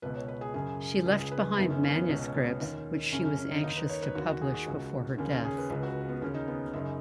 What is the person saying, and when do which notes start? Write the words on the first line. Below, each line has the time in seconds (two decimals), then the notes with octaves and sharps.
She left behind manuscripts which she was anxious to publish before her death.
0.02 C#2 B2 B4
0.15 C#5
0.28 B4
0.41 G#4
0.54 F#2 C#3 G#4
1.06 C#2 C#3 G#4
1.18 G#4
1.32 B4
1.44 G#4
1.57 F#2 D#3 B3
1.70 C#4
1.83 C#4
1.96 B3
2.09 C#2 B2 C#4
2.22 C#4
2.34 B3
2.48 C#4
2.60 D#2 D#3
3.12 F#2 C#3 C#4
3.25 C#4
3.38 C#4
3.51 D#4
3.64 D#2 D#3 D#4
3.76 B4
3.90 C#5
4.02 B4
4.15 D#2 D#3 F#4
4.29 F#4
4.41 G#4
4.54 F#4
4.67 C#2 C#3
5.18 D#2 C#3 C#4
5.31 C#4
5.44 G#4
5.58 B4
5.70 C#2 C#3 B4
5.83 F#4
6.09 B3
6.22 D#2 C#3 C#4
6.34 D#4
6.48 B3
6.73 F#2 C#3 D#4